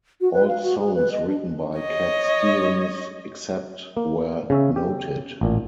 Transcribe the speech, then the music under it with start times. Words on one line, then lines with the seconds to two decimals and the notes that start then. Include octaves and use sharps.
All songs written by Cat Stevens except where noted.
0.21 F#4
0.33 B4
0.48 F5
0.62 F#4
0.79 G#4
0.95 B4
1.12 D#5
1.27 D4
1.79 C#5 D#5
3.97 A#3
4.50 C#3 C#4 E5
4.76 G4
5.41 A1 A#2